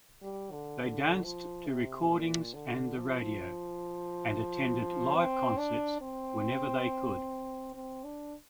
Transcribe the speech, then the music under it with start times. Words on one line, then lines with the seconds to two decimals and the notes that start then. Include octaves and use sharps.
They danced to recordings and the radio, and attended live concerts whenever they could.
0.22 G3
0.52 D3
0.81 D3
1.24 F3
1.67 C3
2.11 A#2
2.54 D3
2.98 F3
5.15 C4
5.58 D4
6.02 C4
7.75 C4
8.04 D4